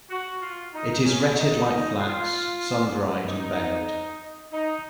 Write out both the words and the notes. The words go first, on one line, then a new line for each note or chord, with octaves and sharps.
It is retted like flax, sundried and baled.
F#4
F4
D#4
C#4
D#4
D#4
F4
D#4
D#4